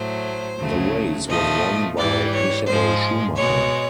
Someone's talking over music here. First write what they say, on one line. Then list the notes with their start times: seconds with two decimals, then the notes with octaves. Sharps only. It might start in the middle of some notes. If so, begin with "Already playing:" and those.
The race was won by Michael Schumacher.
Already playing: A2 F#3 A3 C5
0.58 D2 C#3 F#3 A3
1.28 A#2 F3 A3 D#5
1.97 G#2 E3 G3 D5
2.32 C#5
2.66 G#2 F3 G#3 C5
3.35 B2 G#3 C#5